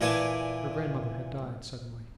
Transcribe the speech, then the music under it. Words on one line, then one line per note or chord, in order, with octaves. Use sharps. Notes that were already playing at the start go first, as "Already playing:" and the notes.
Her grandmother had died suddenly.
A#2 E3 D5 G#5 A5